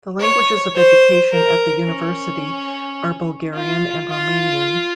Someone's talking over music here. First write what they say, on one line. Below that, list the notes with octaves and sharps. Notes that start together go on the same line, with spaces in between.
The languages of education at the university are Bulgarian and Romanian.
C#5
C5
A#4
C#4
F4
F4